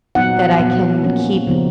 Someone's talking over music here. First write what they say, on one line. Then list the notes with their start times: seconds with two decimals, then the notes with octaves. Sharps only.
that I can keep
0.15 A#2 F#3 B3 D#4 F#5
0.59 A#2 F#3 B3
1.03 F3 A#3 C#4
1.47 C#3 F3 B3 D#4